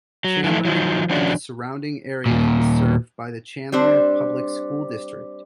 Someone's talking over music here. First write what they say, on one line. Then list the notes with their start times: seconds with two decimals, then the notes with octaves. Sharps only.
Chandler and the surrounding area is served by the Chandler Public School District.
0.24 F#3
0.44 E3 F3 A3
0.65 D#3 F3 F#3
1.09 D#3 F3 D4 F#4 C#5 D5
2.26 D#2 A#2
3.72 G3 C4 D4 C5